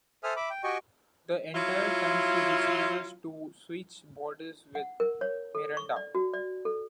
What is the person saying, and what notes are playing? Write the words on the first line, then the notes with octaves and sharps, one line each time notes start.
The entire time she refuses to switch bodies with Miranda.
A4 C5 E5 G#5 D#6 F6
E5 B5 D6
G5
F#4 G4 D#5 G5 G#5 C#6
F#3 E4 F4
F#5
A#4
C#5
A4
C#6
D5
F#4
D5
A4